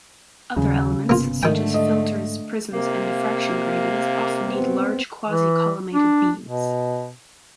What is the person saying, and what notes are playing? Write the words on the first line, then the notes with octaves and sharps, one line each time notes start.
Other elements, such as filters, prisms and diffraction gratings often need large quasi-collimated beams.
D#2 C#3 F#3 G3
G1 C3 A#3 B3 F4
G#2 D3 D#3 A3 G5
D#5
C3 A#3
B3 C4
E3
D4
B2